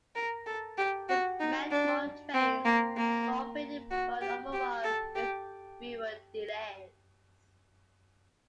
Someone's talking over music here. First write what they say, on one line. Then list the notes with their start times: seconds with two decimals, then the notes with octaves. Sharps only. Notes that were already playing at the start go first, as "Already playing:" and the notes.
This meant more trains were operated but overall with fewer delays.
0.15 A#4
0.46 A4
0.78 G4
1.09 F#4
1.40 D#4
1.71 D4
2.34 C4
2.65 A#3
2.97 A#3
3.91 F#4
4.21 G4
4.53 G4
4.84 A4
5.15 G4